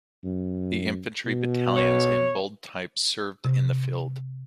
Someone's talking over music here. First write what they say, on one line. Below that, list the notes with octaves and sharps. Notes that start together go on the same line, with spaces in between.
The infantry battalions in bold type served in the field.
F#2
B2
C#5
C3